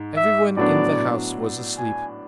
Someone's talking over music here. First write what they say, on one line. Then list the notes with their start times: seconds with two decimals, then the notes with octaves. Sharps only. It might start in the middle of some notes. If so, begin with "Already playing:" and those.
Everyone in the house was asleep.
Already playing: G#2
0.17 E5
0.57 A2 F#3 B3 D4 D5
1.78 G#5